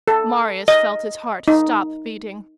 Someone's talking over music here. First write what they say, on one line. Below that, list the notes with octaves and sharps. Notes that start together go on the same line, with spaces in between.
Marius felt his heart stop beating.
A4
D#5
D#4